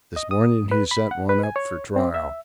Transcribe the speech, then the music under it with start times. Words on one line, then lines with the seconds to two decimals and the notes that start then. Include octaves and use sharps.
This morning he sent one up for trial.
0.16 D#5
0.31 D#6
0.71 B4
0.91 B5
1.11 F#5
1.29 B4
1.43 G#5
1.56 C#5
1.96 C4
2.14 E5